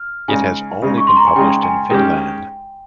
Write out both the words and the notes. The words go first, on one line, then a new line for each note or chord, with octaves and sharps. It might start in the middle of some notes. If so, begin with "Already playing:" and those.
It has only been published in Finland.
Already playing: F6
C#3 G#3 D#4 G#5
C#3 G#3 D#4
C#6
C6
A#5
G#5
C#3 G#3 D#4 G5
G#5
D#3 G#3 C#4 G4 G5